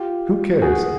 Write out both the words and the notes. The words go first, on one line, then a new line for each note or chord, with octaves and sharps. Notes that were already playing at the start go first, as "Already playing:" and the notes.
Who cares?
Already playing: F4 G4
F#4 G#4